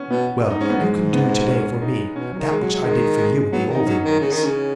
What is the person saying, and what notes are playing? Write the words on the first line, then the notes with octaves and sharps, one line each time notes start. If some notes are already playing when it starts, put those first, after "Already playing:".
"Well, you can do to-day for me that which I did for you in the olden days."
Already playing: B3 C#4
B2 B3
D#4
G#2 C#4
B3
F#2
G#2 G#3
B3
C#4
D#4
B2 C#4
F#3
D#3
G#3
F#3
F#3
D#3 G#3
G#3
F#3 B3
D#3
D#4
F#3 C#4
D#3
C#3 D#4
D#3
C#3 C#4